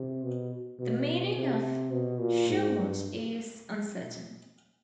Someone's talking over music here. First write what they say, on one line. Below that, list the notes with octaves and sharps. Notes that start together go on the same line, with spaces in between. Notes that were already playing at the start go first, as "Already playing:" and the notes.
The meaning of "Shawmut" is uncertain.
Already playing: C3
B2
B2
C3
B2
A#2
G#2
G2